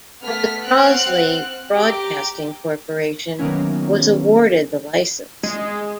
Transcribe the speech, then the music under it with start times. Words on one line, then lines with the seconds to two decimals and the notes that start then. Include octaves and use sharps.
But the Crosley Broadcasting Corporation was awarded the license.
0.22 A3 B3 F6 B6
0.65 C4 F#5 F6 F#6
1.74 G4 A#5 D7
3.39 D#3 F#3 A#3 B3 C#4 E4
5.43 G#3